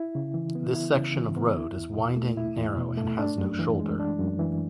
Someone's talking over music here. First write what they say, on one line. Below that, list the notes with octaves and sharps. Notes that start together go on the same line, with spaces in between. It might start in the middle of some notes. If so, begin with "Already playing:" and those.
This section of road is winding, narrow and has no shoulder.
Already playing: E4
C#3
E3
B3
E4
C#3
E3
B3
E4
E2
B2
A3
E4
E2
B2
A3
D4
F#2
E3
G#3
D4
F#2
E3